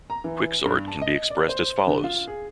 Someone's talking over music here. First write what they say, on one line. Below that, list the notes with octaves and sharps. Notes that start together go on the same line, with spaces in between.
Quicksort can be expressed as follows.
A#5
E3
G2
A5
D#5
D5
C5
D3
F4
G#4